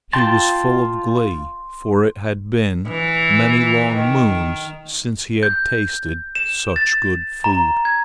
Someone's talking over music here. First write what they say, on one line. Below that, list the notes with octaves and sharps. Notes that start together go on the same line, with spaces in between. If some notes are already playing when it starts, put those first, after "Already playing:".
He was full of glee, for it had been many long moons since he had tasted such good food.
F4 G5 A5 C6
E3
D#3
G6
E7
A6
A#5
G#6